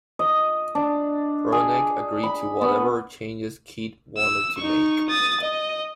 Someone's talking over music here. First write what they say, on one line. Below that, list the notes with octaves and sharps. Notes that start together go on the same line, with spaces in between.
Proenneke agreed to whatever changes Keith wanted to make.
D#5
D4
G#4
B5
B3
E6
D#4 C#6
D#6 A6
D#5